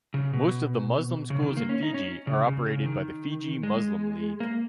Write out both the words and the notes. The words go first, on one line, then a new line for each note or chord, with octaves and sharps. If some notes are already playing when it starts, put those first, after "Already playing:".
Most of the Muslim schools in Fiji are operated by the Fiji Muslim League.
C#3
B2
C#3
D#3
A#3
C#4
D#4
C#4
C#3
C#3
C#3
D#3
G#3
A#3